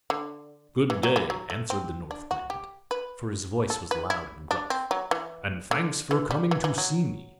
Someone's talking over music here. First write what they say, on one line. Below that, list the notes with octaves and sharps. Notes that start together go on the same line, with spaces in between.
'GOOD DAY!' answered the North Wind, for his voice was loud and gruff, 'AND THANKS FOR COMING TO SEE ME.
D3
E3
F#3
E3
F#3
A3
C4
D4
F#4
G4
B4
A4
B4
E4
D4
C4
F#3
E3
D3
E3
G3
E3
E3
F#3